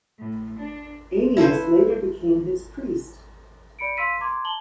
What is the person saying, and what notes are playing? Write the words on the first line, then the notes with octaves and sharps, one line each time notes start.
Anius later became his priest.
A2
D4
E4 A4 B4 C5
D5 B5 C#7 D7
F5 C6 E6 B6 D#7
A#5 C6 D6 G#6
A5 F#7 G7